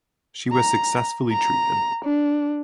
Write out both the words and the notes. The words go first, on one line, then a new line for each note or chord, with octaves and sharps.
She was successfully treated.
A#5
A#5
D4